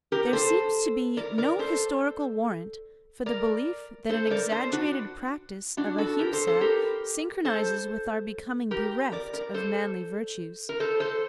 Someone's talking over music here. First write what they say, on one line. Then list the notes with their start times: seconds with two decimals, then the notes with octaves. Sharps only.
There seems to be no historical warrant for the belief that an exaggerated practice of Ahimsa synchronises with our becoming bereft of manly virtues.
0.12 G4 A#4
0.33 A4 C5
1.17 A#4 D5
1.38 A#4 D5
1.59 A4 C5
3.26 A#4 D5
4.09 A4 C5
4.27 C5
4.30 A#4 D5
4.51 A4 C5
4.72 D4 F#4
5.77 D4 F#4
5.98 F#4 A4
6.19 G4 A#4
6.33 A4 C5
6.47 A4 C5
6.61 G4 A#4
7.45 A4 C5
8.71 G4 A#4
9.12 A#4 D5
9.33 A#4 D5
9.54 A4 C5
10.69 A#4
10.80 A4 C5
11.00 A4 C5